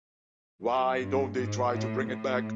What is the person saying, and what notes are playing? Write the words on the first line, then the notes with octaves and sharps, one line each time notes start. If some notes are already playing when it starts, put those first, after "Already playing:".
Why don't they try to bring it back?
F#2
G2
G#2
A2
A2